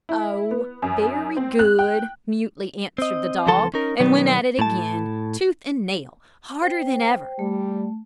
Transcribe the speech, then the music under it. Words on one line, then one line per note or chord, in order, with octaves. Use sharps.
"Oh! very good," mutely answered the dog, and went at it again, tooth and nail, harder than ever.
E4
B3
F#2
C4
F#6
G5
C4 D#5
C#2 E3 F3 A4 A5 C6
C#4 D#4 A#4
B2 D#3 F#3 G3 B3
A2 A5
C5 G5
G3 A3